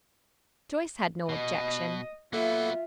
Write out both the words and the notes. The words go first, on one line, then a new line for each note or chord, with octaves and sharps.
Joyce had no objection.
B2 D#5
F#3 A#3 B3 F4 A4 E5